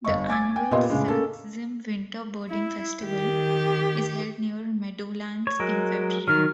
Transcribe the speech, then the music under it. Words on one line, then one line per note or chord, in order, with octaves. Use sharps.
The annual Sax-Zim Winter Birding Festival is held near Meadowlands in February.
G1 D#5 C#6
G#5 D6 G#6 A6
G5 G#5
A#2 B3 G4 D#5 C6
A2 C#3 G#3
A#3 C#4 A4
E4
D#3 G4
C#5
F#3 G#3 A#4
D#3 F#3 F6